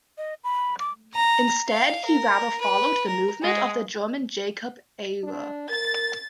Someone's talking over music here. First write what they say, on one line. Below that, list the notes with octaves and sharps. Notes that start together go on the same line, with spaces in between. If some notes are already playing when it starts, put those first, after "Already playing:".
Instead, he rather followed the movement of the German Jakob Ayrer.
D#5
B5
D6
A#5
F5
A#4
B4
A#4
G#3
D4
A#4 A6